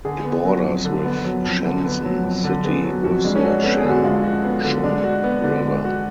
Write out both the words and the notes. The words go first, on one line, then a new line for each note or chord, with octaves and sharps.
It borders with Shenzhen city with the Sham Chun River.
D3 G#4
B3
F#3
F2
D3
B3
F#3
F2
D3
B3
F#3
F2
D3
B3 G#4
F#3 F#4
F2 F#4
G#3 D4
C#4
D4 F#4
B3 A4
G#4
D3
F#4
G#3 F4
F#4
B3
D3
G#3 D4
F#4
B3
D3
G#3
F#4